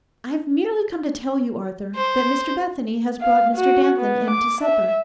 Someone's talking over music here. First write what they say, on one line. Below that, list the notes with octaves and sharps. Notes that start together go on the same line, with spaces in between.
'I have merely come to tell you, Arthur, that Mr Bethany has brought Mr Danton in to supper.
C5
F5
F#4
B3
D6
E5